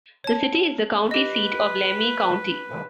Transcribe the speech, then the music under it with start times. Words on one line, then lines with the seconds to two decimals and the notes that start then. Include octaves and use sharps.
The city is the county seat of Lemhi County.
0.24 C#5 A5
1.11 G4 B4 D#5